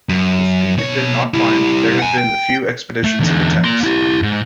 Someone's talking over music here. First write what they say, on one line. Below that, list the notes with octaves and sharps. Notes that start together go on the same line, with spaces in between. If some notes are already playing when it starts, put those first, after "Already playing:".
This peak have been not climbed, there have been a few expeditions and attempts.
F#2
B2 C#5
G3 E4
F#5 G#5
G5
A3
E2 D3
A#3 C6
E4 G4
G#2